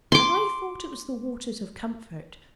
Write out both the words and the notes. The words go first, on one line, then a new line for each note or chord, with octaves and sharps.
And I thought it was the waters of comfort.
C6 D6